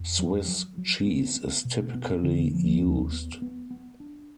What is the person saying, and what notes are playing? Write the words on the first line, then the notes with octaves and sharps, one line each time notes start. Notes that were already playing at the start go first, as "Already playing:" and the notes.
Swiss cheese is typically used.
Already playing: F2
F#3
F#3
F#3
B3
B3
B2
B3
D3
F3
D#2
B3
B3
B3
D4